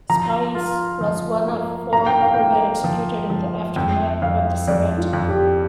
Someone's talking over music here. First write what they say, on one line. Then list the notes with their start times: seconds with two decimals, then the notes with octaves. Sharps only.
Spies was one of four who were executed in the aftermath of this event.
0.10 F3 A#5
0.55 F4
1.01 F3
1.47 A#3
1.93 A#3 A#5
2.06 G5
2.21 F5
2.34 A#3 G5
2.84 F3
3.30 F3
3.76 F2 G5
4.22 F2 F5
4.68 F2 D5
4.98 F4
5.13 F2
5.29 G4